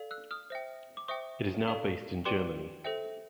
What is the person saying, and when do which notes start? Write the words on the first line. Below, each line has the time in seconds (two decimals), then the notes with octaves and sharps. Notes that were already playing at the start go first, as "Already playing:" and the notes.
It is now based in Germany.
Already playing: A4 D5 F5
0.11 E6 F#6
0.31 D#6 F6
0.50 C5 E5 G5
0.97 D6
1.08 C5 E5 G5 C#6 D#6
1.68 A4 D5 F5
2.25 G4 B4 D5 G5 C6 D6
2.84 A4 C5 E5 G5